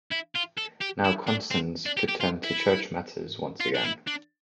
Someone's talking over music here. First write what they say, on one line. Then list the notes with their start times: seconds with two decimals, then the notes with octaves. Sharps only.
Now Constans could turn to church matters once again.
0.11 E4
0.35 F4
0.57 A4
0.81 G4
1.05 E4
1.27 D4
1.51 C4
1.86 D4
1.97 G4
2.08 G4
2.21 F4
2.44 E4
3.60 F4
3.74 D4
3.84 E4
4.07 D4